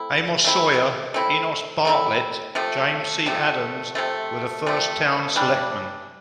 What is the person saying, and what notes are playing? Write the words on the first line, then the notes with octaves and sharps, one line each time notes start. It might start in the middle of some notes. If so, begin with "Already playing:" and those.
Amos Sawyer, Enos Bartlett, James C. Adams were the first town selectman.
Already playing: A3 C4 E4
A3 C4 E4
A3 C4 E4
A3 C4 E4
C3 F3 A3
C3 F3 A3
C3 F3 A3
C3 F3 A3
E3 G3 D4